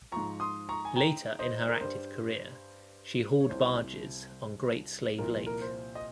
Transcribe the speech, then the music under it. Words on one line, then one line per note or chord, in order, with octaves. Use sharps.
Later in her active career she hauled barges on Great Slave Lake.
G#2 F3 A#5 C#6
C6 D#6
A#5 C#6
G#5
G5 A#5
C5 D#5
A#4
G2 G3 C5
C#5
C2 C3 G3 C5
C2 A#2 F3 A#4
A#4
C5
D#5